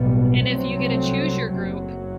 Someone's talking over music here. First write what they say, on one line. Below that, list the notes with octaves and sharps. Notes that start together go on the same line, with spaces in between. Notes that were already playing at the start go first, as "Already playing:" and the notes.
and if you get to choose your group,
Already playing: B1 A2 G3 B3
C2 C3 F#3 A3 C4
F#1 F#2 F#3